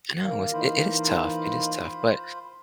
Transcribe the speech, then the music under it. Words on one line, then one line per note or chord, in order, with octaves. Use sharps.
I know, it's it is tough. It is tough, but
D#3 A#3
E3 D#4 F4 C5 B5